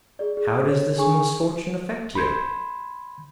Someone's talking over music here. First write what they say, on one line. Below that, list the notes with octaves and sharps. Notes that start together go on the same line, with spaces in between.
How does this misfortune affect you?
G#4 D5
G#4
C#5
D4 G#4 G#5 C#6
B5 C6 G6 G#6